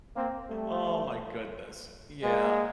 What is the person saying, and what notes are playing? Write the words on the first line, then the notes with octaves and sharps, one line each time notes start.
oh my goodness. Yeah.
A#3 C4
G3 A3
G#3 A#3